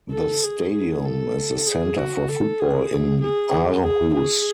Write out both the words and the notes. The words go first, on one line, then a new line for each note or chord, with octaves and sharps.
The stadium is the center for football in Aarhus.
A4
G#4
G#4
A4
G#4
F#4
A4
G#4
G#4
G#4
G#4